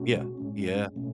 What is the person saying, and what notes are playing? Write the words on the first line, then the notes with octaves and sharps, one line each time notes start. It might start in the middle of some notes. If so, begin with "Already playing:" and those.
Yeah, yeah.
Already playing: B2 G#3 C#4 F#4
A2 G#3 C#4
B2 A3 C#4